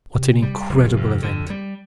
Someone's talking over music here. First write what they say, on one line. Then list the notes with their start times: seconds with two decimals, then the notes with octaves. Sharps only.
"What an incredible event!"
0.15 C3
0.42 G3
0.69 F1
0.96 F2
1.22 D3
1.50 G3